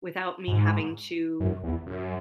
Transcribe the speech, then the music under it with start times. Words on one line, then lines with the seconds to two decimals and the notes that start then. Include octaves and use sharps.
without me having to,
0.48 G#2
1.40 F#2
1.63 E2
1.87 F#2